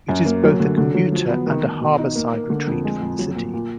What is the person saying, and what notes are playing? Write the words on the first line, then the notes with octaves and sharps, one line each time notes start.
It is both a commuter and a harbourside retreat from the city.
F#2
A#3
F#3
D3
D3
F#3
F3
B3
D#3
D#3
B2
D#4
A#3
A#3
D3
F2
G#3
F2
F#3
A#2
A#2